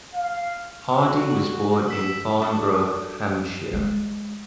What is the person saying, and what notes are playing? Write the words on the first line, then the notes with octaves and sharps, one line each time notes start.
Hardy was born in Farnborough, Hampshire.
F5
D3 G3 F#4
E6 B6 E7
D4 F#4 A4
G#3